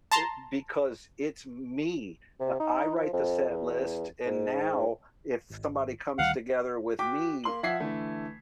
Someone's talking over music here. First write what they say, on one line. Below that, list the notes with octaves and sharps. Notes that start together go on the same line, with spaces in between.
e because it's me. I I write the set list, and now if somebody comes together with me,
A5 A#5 C6
C3
D#4
F3
F2
E2
G#2
G#1
D2 D#3 G3 F5 F#5
F#4 G5 D6 B6
A#3 C6 F#7
F3 E5 F#5 G#6 B6 C7
D3 E3 A3